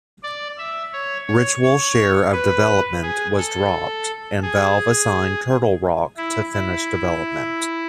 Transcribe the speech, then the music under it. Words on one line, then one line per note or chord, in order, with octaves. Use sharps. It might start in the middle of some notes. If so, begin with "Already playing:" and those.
Ritual's share of development was dropped, and Valve assigned Turtle Rock to finish development.
D5
E5
C#5
C#5
C#5
B4
G#4
A4
G#4
E4
E4